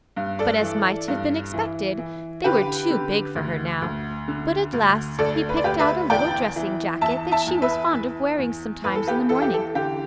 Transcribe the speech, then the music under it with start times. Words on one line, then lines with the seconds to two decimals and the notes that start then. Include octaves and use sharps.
But as might have been expected, they were too big for her now, but at last he picked out a little dressing-jacket that she was fond of wearing sometimes in the mornings.
0.16 G2
0.39 A4 D5
0.62 E3
1.08 G2
1.54 E3
1.98 E3
2.44 D3 G4 B4
2.90 D3
3.36 D2
3.82 D2
4.28 D3
4.73 D2
5.18 D2 A4 D5
5.49 B4
5.57 D5
5.64 D2 G4 B4
5.79 B4 E5
6.10 E2 D5 G5
6.56 E3
7.01 E2 E5 A5
7.31 E5 A5
7.47 E2
7.62 B4 E5
7.93 E2
8.39 E2
8.84 E2 B4
8.95 A4
9.07 G4 B4
9.29 E3 A4
9.42 G4
9.54 A4
9.75 D3 G4